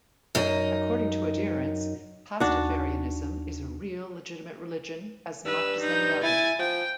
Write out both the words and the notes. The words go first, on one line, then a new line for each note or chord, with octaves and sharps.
According to adherents, Pastafarianism is a "real, legitimate religion, as much as any other".
F#2 D#4
D#2 D4 F#4
G2 B4 E6
D#4 G6
E4 G#5 A6
F3 G5